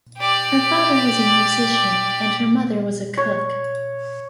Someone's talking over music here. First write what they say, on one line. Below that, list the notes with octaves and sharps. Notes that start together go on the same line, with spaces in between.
Her father was a musician and her mother was a cook.
G4 D5
C#5